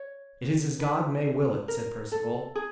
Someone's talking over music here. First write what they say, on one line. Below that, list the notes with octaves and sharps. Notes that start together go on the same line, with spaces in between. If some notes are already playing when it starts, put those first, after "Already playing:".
'It is as God may will it,' said Perceval.
Already playing: C#5
B4
A#4
A4
G#4